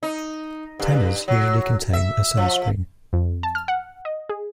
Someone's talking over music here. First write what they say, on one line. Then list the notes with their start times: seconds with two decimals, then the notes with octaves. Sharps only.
Tanners usually contain a sunscreen.
0.03 D#4
0.80 G2
1.28 F#3
1.93 E5
2.37 F3
3.13 F2
3.43 A5
3.55 F6
3.68 F#5
4.05 D#5
4.29 G#4